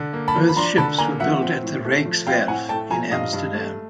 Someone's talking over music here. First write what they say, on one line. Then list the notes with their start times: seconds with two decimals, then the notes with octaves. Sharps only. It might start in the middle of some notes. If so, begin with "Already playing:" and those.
Both ships were built at the "Rijkswerf" in Amsterdam.
Already playing: D3
0.13 A#3
0.28 A5 B5
0.35 F3
0.49 B5
0.56 D4 A#5 C6
0.78 D3 A5 B5
0.98 A#3 G#5 A#5
1.20 F3 E5 F#5
1.42 C4
1.63 A2
1.85 A3
2.05 F3
2.27 C4 F5 G5
2.48 A2 F#5 G#5
2.69 A3 G5 A5
2.90 F3 G#5 A#5
3.11 G2 D#5 F5
3.33 G2
3.55 A3